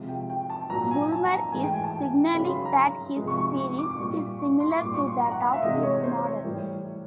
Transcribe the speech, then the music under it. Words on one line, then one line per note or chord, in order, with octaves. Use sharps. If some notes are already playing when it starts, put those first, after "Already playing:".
Bulmer is signalling that his series is similar to that of his model.
Already playing: C3 F3 G#3
G5
G5
A5
A#2 F#3 A#5
G#5
A5
A#5
A2 E3 G#3 G#5
G5
G#5
A5
C#3 F#3 B5
C6
B5
A#5
C3 F3 G#3
C#6
C#6
C#6
D6
A#2 G3 C#6
C#6
C6
C#6
A#2 G3 D6
C#6
C6
A#5
F#5
F5
E5
C3 E3 G#3 D#5
C#5
C5
C#5
A2 E3 G3